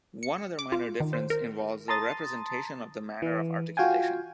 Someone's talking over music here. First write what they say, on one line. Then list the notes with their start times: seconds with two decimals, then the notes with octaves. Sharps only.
One other minor difference involves the representation of the manner of articulation.
0.23 C#7
0.59 D6
0.72 F4
1.00 D#3
1.13 C5
1.30 A#4
1.88 A5 A#5 C6 D#6 A6
3.22 E3
3.77 F4 F#4 F5 G5 G#5